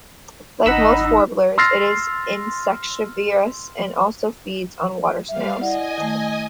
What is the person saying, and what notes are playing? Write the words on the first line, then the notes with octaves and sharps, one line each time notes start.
Like most warblers, it is insectivorous and also feeds on water snails.
G#1 D#4 F#5 B5 E6
C6 E6 F6 A6 A#6 C7
G3 E5 F5
E4 D5 D#5 F#5 G#5
D#3 A3